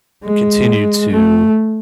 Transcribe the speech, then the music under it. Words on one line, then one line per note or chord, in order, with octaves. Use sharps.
continue to
G#3
A3